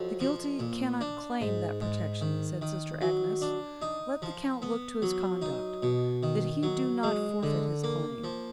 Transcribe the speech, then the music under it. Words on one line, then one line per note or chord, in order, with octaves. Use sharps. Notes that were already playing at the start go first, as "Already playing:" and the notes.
'The guilty cannot claim that protection!' said sister Agnes, 'let the Count look to his conduct, that he do not forfeit his claim!
Already playing: F2 F#3
F3
A#2
D4
G#2
G#2
D#3
D#3
F#3
D4
D#4
F3
B3
F#3
D#4
B2
D#3
F#3
G#3
D3
A#3
F3